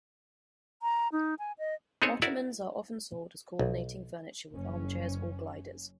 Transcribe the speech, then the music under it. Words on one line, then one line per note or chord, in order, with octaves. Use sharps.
Ottomans are often sold as coordinating furniture with armchairs or gliders.
A#5
D#4
G#5
D#5
B3 C4 D#4 G#4 A4 C#5
E4 F#4 A#4 D5
B1
F#1 C#4